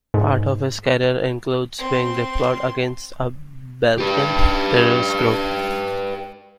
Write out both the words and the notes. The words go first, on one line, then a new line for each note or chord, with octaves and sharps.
Part of his career includes being deployed against a Balkan terrorist group.
G#2
C4 C6
G4 B4